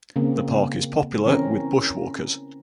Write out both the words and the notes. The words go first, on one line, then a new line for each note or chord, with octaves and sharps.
The park is popular with bushwalkers.
C#3 A#3 C4
E3 C4 C#4 A#4